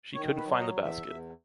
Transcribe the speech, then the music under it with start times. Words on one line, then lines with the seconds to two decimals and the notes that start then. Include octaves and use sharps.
She couldn’t find the basket.
0.15 D#3 C#5
0.37 B4
0.45 F#3
0.61 D#5
0.76 E2
0.83 E5
1.06 E2